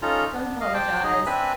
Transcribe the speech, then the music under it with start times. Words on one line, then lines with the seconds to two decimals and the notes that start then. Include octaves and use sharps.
Don't apologise!
0.02 C#4 D#4 F4 A4 A#5
0.34 B3 D4
0.60 D#5 F5
0.74 C5 G5 A5 D6
1.04 D#4 G#4 D#5
1.26 C4 D4 B4 E5 G#5 B5